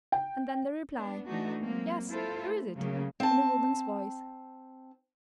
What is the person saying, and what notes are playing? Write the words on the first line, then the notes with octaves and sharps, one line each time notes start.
And then the reply, 'Yes, who is it?' in a woman's voice.
G5
B3 D4
E3 A3 D4 D#4 F#4
F#3 G#3 A#3 C4
E4 F4 A4 C5
A3
C#3 F#3 A3 A#3
C4 A5